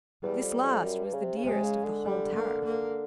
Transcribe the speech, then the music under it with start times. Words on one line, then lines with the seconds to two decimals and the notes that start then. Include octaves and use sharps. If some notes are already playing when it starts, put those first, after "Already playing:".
This last was the dearest of the whole tariff.
0.23 E2 G3
0.43 F2
0.63 F2
0.83 F#2
1.04 G2
1.14 C#3
1.24 C3
1.38 C#3
1.44 C3 G#3
1.54 C3
1.64 C#3
1.84 D3
2.05 G3
2.35 A#3
2.65 A#3